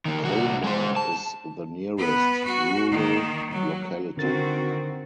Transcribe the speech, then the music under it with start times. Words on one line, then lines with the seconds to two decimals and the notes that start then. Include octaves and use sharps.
Komar is the nearest rural locality.
0.05 D#3 A#3
0.23 C2 F#4
0.64 G#3 C5
0.96 A5
1.98 B3 B4
2.45 F#4
2.90 D#3 A#3
3.51 F#3
4.17 D3 D#3 C4 F#4 A#4 A6